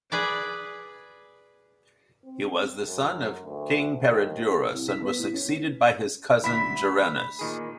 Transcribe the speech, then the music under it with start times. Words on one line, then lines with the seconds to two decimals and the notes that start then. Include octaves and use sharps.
He was the son of King Peredurus and was succeeded by his cousin Gerennus.
0.12 G#4 B4 D5
2.25 C4
2.86 F#2
3.44 D2
4.00 D#2
4.73 C2
4.88 B6
5.02 B3
5.18 A2
5.34 C#4
6.44 D2 E4 E5 B5 B6
7.39 A#2 D#3 G#4